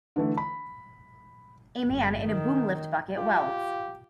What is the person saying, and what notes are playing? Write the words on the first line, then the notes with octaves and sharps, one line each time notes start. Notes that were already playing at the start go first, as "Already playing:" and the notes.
A man in a boom lift bucket welds.
D3 E3 A3
B5
G1
D#3
F4 G4